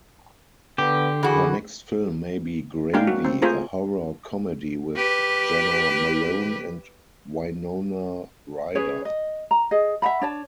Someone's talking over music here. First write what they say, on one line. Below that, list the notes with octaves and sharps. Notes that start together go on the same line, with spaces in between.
Her next film may be "Gravy", a horror-comedy with Jena Malone and Winona Ryder.
D3 B3 G4
E3 F#4 G#4
G#3 A#3 D4 A#4 F5 G5
F#4
C4
A3 F4 G#4 C5 G#5 A#5
G4 B4
C#4 G#4 B4 C#5
D#5
A#5
G#4 D#5
E5 F#5 A#5 B5
D4 C#5 A5